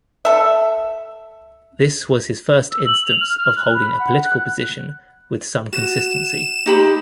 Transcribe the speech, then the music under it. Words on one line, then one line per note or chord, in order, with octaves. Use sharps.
This was his first instance of holding a political position with some consistency.
A4 E5
E6
F#7
F7
F6
F6
F#6
B5
F#5
F#6
F#4 E7
D#4 G4 B5